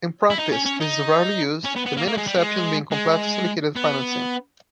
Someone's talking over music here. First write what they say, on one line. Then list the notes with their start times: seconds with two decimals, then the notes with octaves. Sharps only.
In practice this is rarely used, the main exception being complex syndicated financing.
0.30 E4
0.38 D#4
0.52 C#4
0.66 C#4
0.81 D#4
1.64 C#4
1.76 B3
1.86 B3
1.97 A#3
2.07 A#3
2.17 G#3
2.27 G3
2.37 G#3
2.92 G#3
3.76 B3